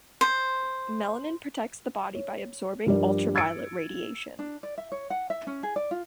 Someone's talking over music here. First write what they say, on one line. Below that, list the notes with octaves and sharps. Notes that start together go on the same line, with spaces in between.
Melanin protects the body by absorbing ultraviolet radiation.
C5
C#5
G2 F3 G3 A#4 D5
E6 G#6 A6 C#7 D7
D4
D5
E5
C#5
F#5
E5
C#4
G#4
D5
F4